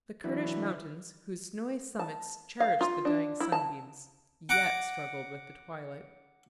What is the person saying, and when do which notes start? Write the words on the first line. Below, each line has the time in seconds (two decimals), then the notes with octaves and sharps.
The Kurdish mountains, whose snowy summits cherished the dying sunbeams, yet struggled with the twilight.
0.24 E3 F#3 D4 E4 B4
1.99 A5
2.60 F5
2.81 F4
3.05 D4
3.40 E4
3.52 A5
4.49 F#5 A#5 D6